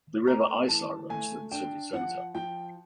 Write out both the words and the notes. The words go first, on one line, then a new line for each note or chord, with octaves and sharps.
The River Isar runs through the city centre.
A3 A#5
E3 A5
A3 G#5
D4 G5
F3 F#5
F3 G5